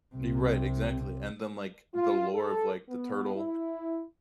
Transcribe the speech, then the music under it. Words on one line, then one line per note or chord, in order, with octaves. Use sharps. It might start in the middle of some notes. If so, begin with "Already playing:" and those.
You're right, exactly, and then, like, the lore of like the Turtle
C2 C3
F4
A4
B3
E4